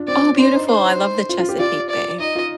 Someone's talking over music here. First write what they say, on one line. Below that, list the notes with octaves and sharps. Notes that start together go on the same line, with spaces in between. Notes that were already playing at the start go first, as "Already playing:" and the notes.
Oh, beautiful. I love the Chesapeake Bay.
Already playing: D4 F4
C4 D5
D4 C5
D#4
C5
F4
F4
G4
F4 D5
D5
D#4 D#5
F4